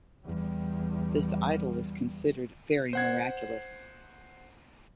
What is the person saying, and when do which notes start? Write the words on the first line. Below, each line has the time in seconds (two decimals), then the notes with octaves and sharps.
This idol is considered very miraculous.
0.24 E2 G3
2.93 C5 F#5 G#6